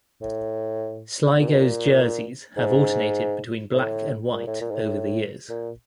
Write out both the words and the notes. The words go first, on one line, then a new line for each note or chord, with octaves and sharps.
Sligo's jerseys have alternated between black and white over the years.
A2
A#2
B2
A#2
G#2
A2
A#2
A2
A#2
G#2
A2
A#2